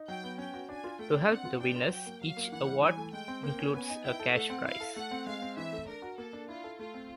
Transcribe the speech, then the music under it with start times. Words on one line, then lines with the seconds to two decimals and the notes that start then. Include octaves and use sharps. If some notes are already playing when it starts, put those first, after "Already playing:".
To help the winners, each award includes a cash prize.
Already playing: D#4
0.08 F#3 G5
0.23 B3
0.38 C#4 G5
0.54 F#4
0.69 D4 G#5
0.84 F4
0.99 A3 G5
1.14 D4
1.30 C4 F#5
1.45 F4
1.60 D4 G5
1.76 F4
1.91 F#3 G5
2.06 A#3
2.22 F#3 F5
2.37 A#3
2.52 E3 F#5
2.67 G3
2.82 E3 G#5
2.98 A3
3.13 G#3 G5
3.28 C4
3.43 A#3 G5
3.59 C#4
3.74 B3 G#5
3.90 D#4
4.04 E4 G5
4.20 A4
4.35 A3 F#5
4.50 C4
4.65 E4 F5
4.80 A4
4.96 A3 F#5
5.11 C4
5.27 G#3 F5
5.42 C4
5.57 E3 E5
5.72 A3
5.87 D4 A#4
6.02 F#4
6.18 A#3 A4
6.33 D4
6.48 E4 F4
6.64 A4
6.79 A3 F4
6.94 C4